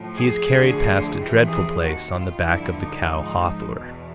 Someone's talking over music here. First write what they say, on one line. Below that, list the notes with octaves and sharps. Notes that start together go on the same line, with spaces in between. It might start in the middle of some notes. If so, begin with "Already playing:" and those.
He is carried past a dreadful place on the back of the cow Hathor.
Already playing: A2 F3
G#4
D2 D3 F3
F2 C3 E3
G#4
D#2 D#3 F#4
F4
G2 D3 F3 E4
D#4
G#2 F3
E2 B2